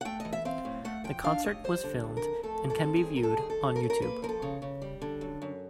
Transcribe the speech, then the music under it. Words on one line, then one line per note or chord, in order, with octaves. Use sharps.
The concert was filmed and can be viewed on YouTube.
F#5
A3 G5
D#5
E3
E5
C4 F5
A2
A3 F#5
F3 G5
D4 F5
A2 D#5
G3 C5
D3
F2
A#4
F2
A3 A4
E3
A4
C4
G#4
G2
A#4
G3 A4
G#4
D#3
A4
F#2
A#4
F#2 A4
A#4
A#3 B4
F3 A#4
A4
C#3
C#3
G3
D3
F#2
F#2